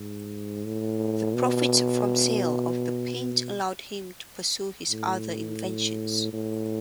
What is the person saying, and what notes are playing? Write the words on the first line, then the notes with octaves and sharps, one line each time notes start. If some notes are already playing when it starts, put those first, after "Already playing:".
The profits from sale of the paint allowed him to pursue his other inventions.
Already playing: G#2
A2
B2
A2
A2